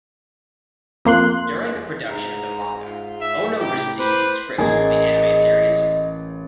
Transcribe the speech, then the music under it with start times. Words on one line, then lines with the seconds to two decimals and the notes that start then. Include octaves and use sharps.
During the production of the manga, Ono received scripts of the anime series.
1.05 F2 A#3 C6 F#6
2.09 G#2 A#5
2.83 F4
3.21 E5
3.59 A2 G4 A#4 D6
3.99 B4 C5
4.58 A1 A#3 G#4 D#5